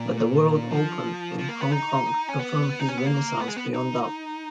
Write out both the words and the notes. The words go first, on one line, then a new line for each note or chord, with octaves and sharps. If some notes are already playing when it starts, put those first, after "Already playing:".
But the World Open in Hong Kong confirmed his renaissance beyond doubt.
Already playing: A#2
F3
F3
A#3
B3
D#4
C#4
B3
D#4
C#4
B3
A#3
B3
G#3
B3
D#4